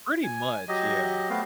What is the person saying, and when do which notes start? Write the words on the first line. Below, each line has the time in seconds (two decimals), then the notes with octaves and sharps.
pretty much, yeah.
0.24 G#5
0.68 F#3 G4 D#5
1.30 A3 B3 C4 F5